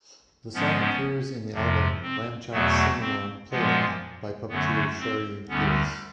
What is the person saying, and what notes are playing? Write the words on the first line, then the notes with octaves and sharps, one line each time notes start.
The song appears in the album "Lamb Chop's Sing-Along, Play-Along" by puppeteer Shari Lewis.
G#2 F3 G#3 B3 C#4
F2 C3 F3
C4
E2 B2 F#3 A3 B3
C4
A#2 F3 G#3 B3
F#2 D3 F#3 A3 B3
C4
D2 D3 G3 B3 C#4